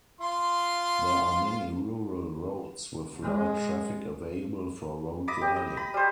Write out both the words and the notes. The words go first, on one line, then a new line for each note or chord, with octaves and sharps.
There are many rural roads with light traffic available for road riding.
F4 C6
G#3
D#5 B5 D6
G4
D#5
B5
G3 C5